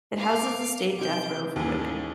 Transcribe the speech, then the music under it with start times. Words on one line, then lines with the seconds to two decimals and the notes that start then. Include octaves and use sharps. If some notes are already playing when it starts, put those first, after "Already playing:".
It houses the state death row for women.
0.17 F5 D6
0.98 C2 B2 D#4 G6 D7
1.56 A1 D#2 E3 G#4 G#5